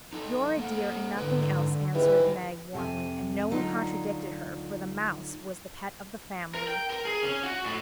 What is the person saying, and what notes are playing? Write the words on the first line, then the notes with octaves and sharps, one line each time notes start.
"You're a dear, and nothing else," answered Meg warmly, and no one contradicted her, for the 'Mouse' was the pet of the family.
D#4 A4
A#3 A4 F#5
G#2 D3 E4 B4
G#2 D#3 E3 G4
F2 C3 G#5
D2 F#3 D#4 F4
A#4
G5
A#4
G#4
C#4
F#4
A2